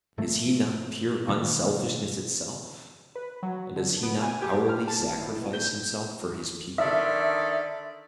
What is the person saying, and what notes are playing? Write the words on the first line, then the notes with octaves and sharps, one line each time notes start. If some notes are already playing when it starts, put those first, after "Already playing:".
Is he not pure unselfishness itself, and does he not hourly sacrifice himself for his people?
G#2 F3 A3 A#3
G2 B2 D#3
B4
F#3
D3
B3
G#5
G4
F6
A5
G#1
E4
B2
G6
D3 D#3 D5 E5